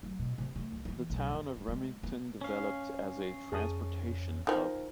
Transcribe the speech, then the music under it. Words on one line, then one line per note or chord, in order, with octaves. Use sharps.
The town of Remington developed as a transportation hub.
F#3
B2
C3
A3
C#2
E3
B1
F2
D4
G#3
B3
C#4 F5
F2 G#4 A5 D#6
D#3 F3 A#4